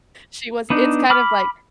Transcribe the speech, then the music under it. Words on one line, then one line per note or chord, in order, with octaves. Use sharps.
She was it's kind of like
B3 D4 D#4
B5 D6 F6